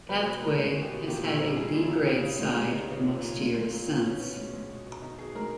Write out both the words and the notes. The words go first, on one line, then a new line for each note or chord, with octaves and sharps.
Padthaway has had a B Grade side most years since.
B2 B4
B2 B4
G#3 A#4
G#3 G#4
B2
G4
B2
A#2 G4
A#2 E4
G3 D#4
G3 G#4
A#2
E4
A#2
C#3 G4
C#3
G#3
G#3 G4
C#3 D#4
C#3 B3
A#2
A#2
G#3
G#3
A#2
A#2
B2 C#4
B2 B3
G#3 C#4
G#3
B2
B2
B2 D#4
B2 G#4
G#3 A#4